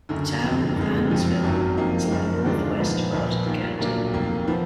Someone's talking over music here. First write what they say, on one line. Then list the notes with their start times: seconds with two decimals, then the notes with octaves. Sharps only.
The Town of Annsville is in the northwest part of the county.
0.09 F#1 F#2 D3
0.43 F1 F2 D3
0.76 F#1 F2 D3 G#3
1.10 F#1 F2 F3
1.43 G#1 F#2 D#3 F#3
1.77 F2 F3 A#3 D#4
2.11 F#1 F#2 F3
2.45 D#2 D3 G#3 D4 F4
2.78 A#2 F3 B3 D#4
3.12 A#1 A#2 F3 B3
3.46 D#2 D#3 A#3 F4
3.79 B1 A#2 F#3 A#3 D4
4.13 F1 F2 D#3 A#3
4.48 F3 B3